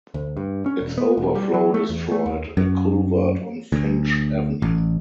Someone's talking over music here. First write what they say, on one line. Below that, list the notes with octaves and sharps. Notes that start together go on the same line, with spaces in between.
Its overflow destroyed a culvert on Finch Avenue.
D2
G2
C#4
E1
B3
E1
G3
F#3
A3
E2
A3
D#2
F#2
D2
A1